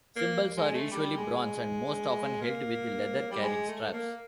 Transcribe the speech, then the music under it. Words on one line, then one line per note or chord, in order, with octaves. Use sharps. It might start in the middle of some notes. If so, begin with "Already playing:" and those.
Cymbals are usually bronze and most often held with leather carrying straps.
A#3
G#3
A3
G3
G#3
A#3
G3
G#3
A3
A#3